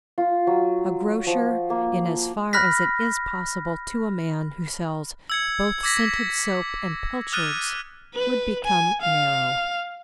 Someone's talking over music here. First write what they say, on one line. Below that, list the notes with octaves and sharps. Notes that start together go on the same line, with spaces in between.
A grocer, in as far as it is possible to a man who sells both scented soap and pilchards, would become narrow.
F4
F#3
F3
A#3
B5 F6 F#6 A#6 B6
E6 G#6 C#7
D6 E6 G#6 A#6 B6
D#6 F6 F#6 A6 D#7
B4
G#5
F5